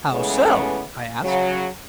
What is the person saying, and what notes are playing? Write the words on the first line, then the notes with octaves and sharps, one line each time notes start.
"How so?" I asked.
C#3 E3 G#3 A3 B3 C#4
C#3 F#3